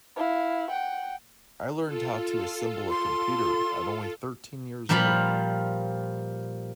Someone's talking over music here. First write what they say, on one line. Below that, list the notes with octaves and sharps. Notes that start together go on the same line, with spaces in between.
I learned how to assemble a computer at only thirteen years old.
E4 F5
F#5 G5
F4 A4
C6
A#2 F3 G3 F4 B5